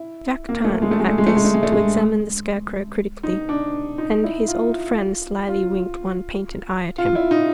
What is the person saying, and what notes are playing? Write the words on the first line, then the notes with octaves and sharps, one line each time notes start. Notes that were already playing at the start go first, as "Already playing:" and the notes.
Jack turned, at this, to examine the Scarecrow critically, and his old friend slyly winked one painted eye at him.
Already playing: E4
A#3
A3
G#3
A3
G#3
A3
G#3
A3
G#3
A3
G#3
A3
G#3
D#4
D4
D#4
E4
F4
F4
F4
E4
D#4